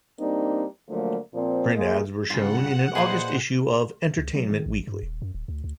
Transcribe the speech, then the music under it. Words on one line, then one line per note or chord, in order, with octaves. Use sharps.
Print ads were shown in an August issue of "Entertainment Weekly".
G3 A#3 C4 D4 D#4
D3 F3 F#3 A3 A#3
A#2 F3 C4
G#3 A#3
G2 C#3 F4 F#5
A#2 G#4 B4 C5 D#5 C6
C#2
F#3
D#3
A1
G2
D#1
F#2
D1
D2
D2